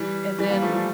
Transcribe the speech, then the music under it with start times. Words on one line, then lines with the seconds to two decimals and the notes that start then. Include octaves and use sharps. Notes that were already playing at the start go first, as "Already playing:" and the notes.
And then
Already playing: E3 G3
0.39 E3 G3
0.50 G3 A#3
0.62 F3 A3
0.74 E3 G3